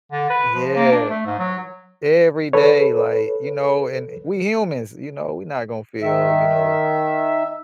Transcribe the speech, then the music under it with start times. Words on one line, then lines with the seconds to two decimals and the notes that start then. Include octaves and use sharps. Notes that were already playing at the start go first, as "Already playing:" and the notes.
Yeah, e e every day, like, you know, and we humans, you know, we not gonna feel, you know
0.12 D3
0.30 B4
0.55 F3
0.75 A#3
0.92 D4
1.10 A3
1.26 G#2
1.39 F#3
2.53 A4 B4 C#5
6.02 D#3 E5